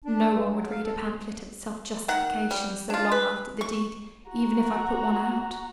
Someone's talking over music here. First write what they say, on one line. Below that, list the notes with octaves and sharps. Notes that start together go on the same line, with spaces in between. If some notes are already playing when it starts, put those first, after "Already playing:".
No one would read a pamphlet of self-justification so long after the deed, even if I put one out.'
D4
G2
F#3
F5
A4
D#3 F#5
G3
D4 F4
B4
C#6
F#4 A#5